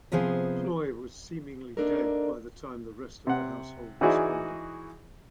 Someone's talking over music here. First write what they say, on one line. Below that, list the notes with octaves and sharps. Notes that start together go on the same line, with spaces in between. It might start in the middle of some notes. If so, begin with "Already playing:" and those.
Ploy was seemingly dead by the time the rest of the household responded.
C3 F3 B3 G#4 C5
A#3 C4 D4 D#4 A4 A#4
C3 F#5
E3 D#4 E4 F#4 G#4 D5